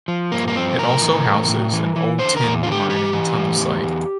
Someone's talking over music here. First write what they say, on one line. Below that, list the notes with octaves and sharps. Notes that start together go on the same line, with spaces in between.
It also houses an old tin mining tunnel site.
F3
G2 A#3
A#3
F3 C4
A2 A#4
E3
A2
A2
E3
E3
D3 C5
A#4
E2
D3 F4
G4
E3 G4
E3
A2
E2
E2